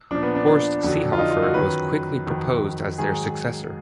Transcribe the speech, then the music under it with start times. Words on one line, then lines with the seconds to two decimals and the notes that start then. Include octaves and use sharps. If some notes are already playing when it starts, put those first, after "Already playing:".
Horst Seehofer was quickly proposed as their successor.
0.11 A#2 F3 D4
0.23 B3
0.35 D4
0.47 D4
0.83 F2 D3 F#3
1.13 F4
1.18 D#4
1.31 F4
1.42 F#4
1.54 F#2 D#3 F#3 B4
2.26 F2 D#3 F#3
2.98 G#2 D#3 F#3 G#4